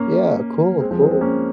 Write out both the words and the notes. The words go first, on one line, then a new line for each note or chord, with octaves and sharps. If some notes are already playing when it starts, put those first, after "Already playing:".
Yeah, cool, cool.
Already playing: A#3 C#4
G#3 C4
F3 G#3
G#3 C4
G#3 C4
A#3 C#4